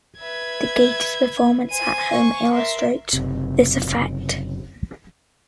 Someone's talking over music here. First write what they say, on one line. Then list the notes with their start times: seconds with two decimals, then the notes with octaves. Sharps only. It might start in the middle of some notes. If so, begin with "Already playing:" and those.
The Gators' performance at home illustrates this effect.
0.20 B4 E5 G#6
1.71 C5 G#5 D#7
2.14 C#6
2.53 A#4 E5 C6
3.13 F#1 C3